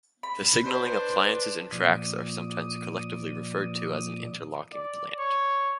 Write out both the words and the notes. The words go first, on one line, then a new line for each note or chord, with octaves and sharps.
The signalling appliances and tracks are sometimes collectively referred to as an "interlocking plant".
B5
D4 B4 C5
A#2 F3 D5 D#6
D5
C#5